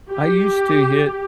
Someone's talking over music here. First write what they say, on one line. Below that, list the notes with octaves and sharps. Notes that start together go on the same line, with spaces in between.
I used to hit
G4